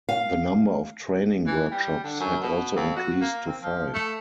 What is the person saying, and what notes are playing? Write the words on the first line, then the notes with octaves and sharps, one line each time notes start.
The number of training workshops had also increased to five.
F5
E3
G3
D3
F#2
B2
F2
F#4
A#3
C4
F3
A3